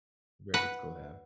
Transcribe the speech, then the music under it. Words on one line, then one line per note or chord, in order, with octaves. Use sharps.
Very good skill to have.
B4 F#5